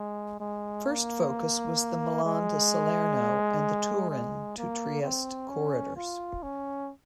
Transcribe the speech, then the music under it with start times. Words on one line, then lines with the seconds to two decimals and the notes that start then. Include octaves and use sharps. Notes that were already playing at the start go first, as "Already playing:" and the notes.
First focus was the Milan to Salerno and the Turin to Trieste corridors.
Already playing: G#3
0.40 G#3
0.86 A#3
2.25 G#3
4.10 G#3
4.57 A#3
5.03 C4
5.49 C#4
5.97 F4
6.43 C#4